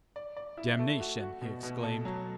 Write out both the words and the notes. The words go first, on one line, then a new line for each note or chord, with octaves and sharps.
"Damnation!" he exclaimed.
D5
D5
E4
A3
F#4
F#4
B2
B2
A4
F#3